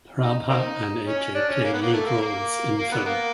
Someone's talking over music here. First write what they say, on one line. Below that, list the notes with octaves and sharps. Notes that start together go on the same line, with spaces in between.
Prabha and Ajay play lead roles in the film.
D#4
A#3 C4 D#4
C#4
D4
C#4
A#3
B3
A#3
A3
A#3
A#3
A#3
B3
A#3